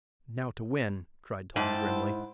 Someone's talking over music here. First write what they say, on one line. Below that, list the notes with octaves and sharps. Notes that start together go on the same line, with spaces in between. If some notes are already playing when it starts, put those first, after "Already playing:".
"Now to win!" cried Tom, grimly.
G#2 E4 A4 C5 G5 A5